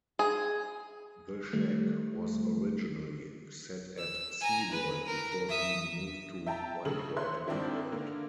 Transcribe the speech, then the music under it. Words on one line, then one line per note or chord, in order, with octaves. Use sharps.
"The Shak" was originally set at Sea World before being moved to WhiteWater World.
G#4
D#3 G3 A3
E6
G#5 A#5
B4
A#4
E5 D#6
E5 G5 A5 A#5
C#3 A3 F#7
C5 C#5 E5 C6 F#6
G#2 D#3 C4 D4 E4
D3 A#3